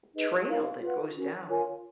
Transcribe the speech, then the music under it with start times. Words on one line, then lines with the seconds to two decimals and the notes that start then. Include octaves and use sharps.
trail that goes down,
0.13 D#4 G#4 B4 D#5
0.47 D#4 A#4 F5
0.81 F4 B4 F#5
1.15 C#4 F#4 A#4
1.49 F4 A#4 C#5 G#5